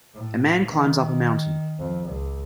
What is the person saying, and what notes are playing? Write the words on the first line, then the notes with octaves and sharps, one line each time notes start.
A man climbs up a mountain.
A2
D#3
F2
C#2